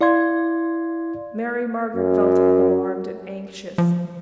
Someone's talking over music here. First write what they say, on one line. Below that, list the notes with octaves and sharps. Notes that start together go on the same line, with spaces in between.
Mary Margaret felt alarmed and anxious.
E4 D5 F5 C6 G#6
F#2
F3